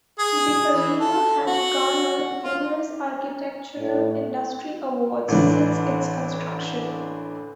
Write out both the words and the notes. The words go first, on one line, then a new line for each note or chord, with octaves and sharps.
The arena has garnered numerous architectural industry awards since its construction.
G#4
E3
A4
F#4
F4
A2
A1 D3 E3